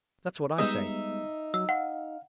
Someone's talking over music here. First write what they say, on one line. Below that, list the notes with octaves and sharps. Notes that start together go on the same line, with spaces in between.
'That's what I say.
G3 G#3 B3 D#4 E5 D#6
F#3 E6
F5 F#5